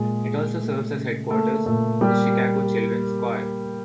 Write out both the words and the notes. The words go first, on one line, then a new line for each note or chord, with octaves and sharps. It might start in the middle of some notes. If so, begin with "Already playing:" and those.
It also serves as headquarters for the Chicago Children's Choir.
Already playing: A#2 G#3 G#4
G#3
A3
C#3
A3 A#3 A4
A#2 A3 A4
G3 A#3 G4